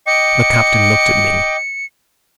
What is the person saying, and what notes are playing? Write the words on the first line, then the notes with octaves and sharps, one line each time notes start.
The captain looked at me.
D#5 G5 D6 C#7